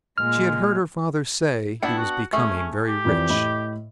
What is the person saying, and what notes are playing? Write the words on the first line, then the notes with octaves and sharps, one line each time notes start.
She had heard her father say he was becoming very rich.
A#2 G#3 F6
B3 D4 E4 G5 C#7
F#4
A3 C#4 G#4
G4
F2 E3 D5
A2 D#5 B5